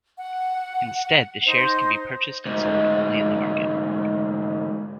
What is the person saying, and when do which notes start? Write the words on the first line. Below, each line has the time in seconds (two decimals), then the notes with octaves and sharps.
Instead, the shares can be purchased and sold only in the market.
0.18 F#5
1.45 D#4 C5
2.45 D2 G#2